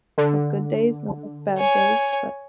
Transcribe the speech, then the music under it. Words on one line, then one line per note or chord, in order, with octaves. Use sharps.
I have good days, and I have bad days, but
D3
C#5 G#5